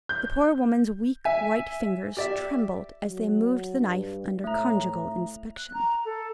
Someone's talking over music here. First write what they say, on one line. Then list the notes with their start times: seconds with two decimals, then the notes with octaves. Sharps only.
The poor woman's weak white fingers trembled as they moved the knife under conjugal inspection.
0.09 G6
1.25 E5 G#5
2.17 G4 D5 E5
3.06 F#3
3.80 G2
4.44 A2 A3 A#5
5.57 F#6
5.74 A#5
6.05 A4